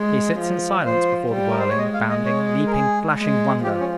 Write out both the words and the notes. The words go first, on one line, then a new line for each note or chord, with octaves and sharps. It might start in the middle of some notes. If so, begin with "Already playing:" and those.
He sits in silence before the whirling, bounding, leaping, flashing wonder.
Already playing: G#3
F3
F3 C5
G3
A#4
C5
C#5
G#3 D#5
F5
D#5
C#5
A#4
G#4
G#3
F3 G4
C#4